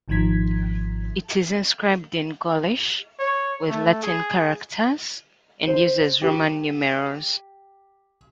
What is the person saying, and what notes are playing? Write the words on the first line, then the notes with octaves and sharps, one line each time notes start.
It is inscribed in Gaulish with Latin characters and uses Roman numerals.
G#1 G#2 D#3 F3 G#6 B6
C#5
A3
G#4
C5
G4